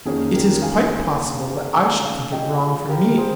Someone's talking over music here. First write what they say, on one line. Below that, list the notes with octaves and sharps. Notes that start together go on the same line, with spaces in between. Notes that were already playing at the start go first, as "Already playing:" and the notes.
"It is quite possible that I should think it wrong for me."
F2 D#3 A#3 C#4 G#4
G4 A#4
F5 G#5
F5 G#5
F5 G#5
D#5 G5
G#4
G4 A#4
G#4 C5